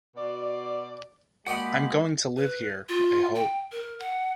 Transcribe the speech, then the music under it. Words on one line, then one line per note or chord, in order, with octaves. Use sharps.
I'm going to live here, I hope.
B2 D5
G#3 A#3 F#4 G4 D5 D#5 F#5 B5
B4
F4
G5
A#4
F#5